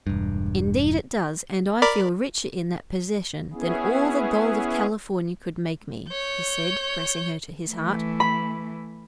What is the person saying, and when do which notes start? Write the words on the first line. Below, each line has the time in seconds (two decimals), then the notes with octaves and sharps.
"Indeed it does, and I feel richer in that possession than all the gold of California could make me," he said, pressing her to his heart.
0.07 E1 G2
1.82 A#4 D5 B5
3.53 B3 C#4 E4 G#4
6.10 C#5 G6
7.68 E3 A3
8.20 B5